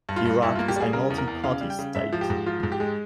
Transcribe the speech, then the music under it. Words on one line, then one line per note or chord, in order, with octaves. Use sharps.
Iraq is a multi-party state.
G2
F4
G2
G2 E4
A#3 F4
G4
G3 G#4
C#3 A#4
E2
A#4
E2
C#3 F5
G3
G5
C#3
G#2 E5
F3
G4
G#2
F3 F4
G#2
G4
G#3